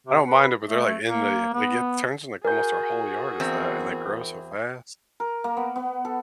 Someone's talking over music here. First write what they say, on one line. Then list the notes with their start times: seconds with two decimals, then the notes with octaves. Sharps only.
I don't mind it, but they're, like, in the they get turns in, like, almost our whole yard is that, and they grow so fast
0.07 C3
0.27 B4
0.68 A3
1.08 A#3
1.54 B3
2.45 F#4 G#4 A#4 G#5 G6
3.40 E2 B3 C4
5.20 A#4
5.44 A#3
5.57 B3
5.76 B3
6.05 A4